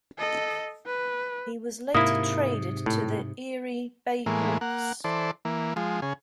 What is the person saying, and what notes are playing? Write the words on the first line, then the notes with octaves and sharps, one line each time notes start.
He was later traded to the Erie BayHawks.
A4 D#5
B4
G#2 C3 A#3 E4 D#6
A2
A2 E3 G#3 A#3
A#3 F#5
E3 A4 C5 D5
E3 A#3
F3 G#3
C#3 G#4